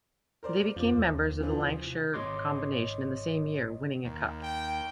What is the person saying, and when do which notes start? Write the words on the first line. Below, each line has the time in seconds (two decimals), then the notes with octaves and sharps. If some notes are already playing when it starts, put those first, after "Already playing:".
They became members of the Lancashire Combination in the same year, winning a cup.
0.43 A#4 C5 D5
0.76 F2 F3 D6
0.95 D#2
1.40 E3 F3
1.67 C3
2.14 G#1 C#5 D#5 C6 D6
4.05 D#2
4.43 G5